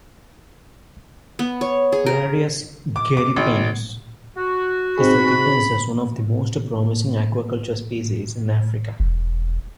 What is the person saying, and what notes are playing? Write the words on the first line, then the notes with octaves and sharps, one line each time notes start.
"Clarias gariepinus" is recognized as one of the most promising aquaculture species in Africa.
B3
C#5
G#4
A#4
D6
D6
G#1
F#4
C4 D#4 G#4 B5
E1